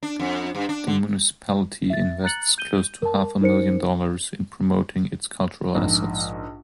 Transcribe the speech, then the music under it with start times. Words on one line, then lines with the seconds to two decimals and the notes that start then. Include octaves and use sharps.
The municipality invests close to half a million dollars in promoting its cultural assets.
0.03 D4
0.19 F2
0.55 G2
0.69 D4
0.87 D3
1.90 E5 A6
2.24 A#5 F#6 A6 C#7 F#7
2.58 G6 D#7 G7
3.02 A#4 A5
3.41 D#4 A#4 C5 C#7
5.74 A#1 G#2